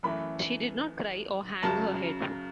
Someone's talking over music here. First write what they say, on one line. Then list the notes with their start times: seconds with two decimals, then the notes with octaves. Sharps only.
She did not cry or hang her head.
0.03 F#2 E3 A3 B5
1.63 F#2 C#3 F#3 A5